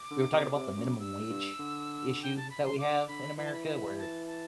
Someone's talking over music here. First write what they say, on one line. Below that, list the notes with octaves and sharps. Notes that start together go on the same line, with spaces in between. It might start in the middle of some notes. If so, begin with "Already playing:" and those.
we were talking about the minimum wage issue that we have in America where
Already playing: D6
D3
C3
C3
F#2
G2 E6
G2
D3
G5
A5
B5
C6
D3 D6
D3 B5
E3 B5
A5
B5
B5
A5
A5